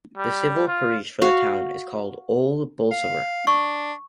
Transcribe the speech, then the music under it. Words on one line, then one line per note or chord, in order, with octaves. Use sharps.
The civil parish for the town is called Old Bolsover.
G3
F4
F#4 F5
F5
D4 C#6